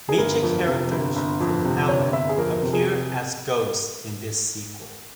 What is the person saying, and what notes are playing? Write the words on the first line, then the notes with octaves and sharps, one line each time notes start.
Major characters from "Hamlet" appear as ghosts in this sequel.
G#4
G1 A#4
F2
C3
G1
G1
F2
C3
G1 C#5
G1 E5
G#4
F2 A#4
C3
G#4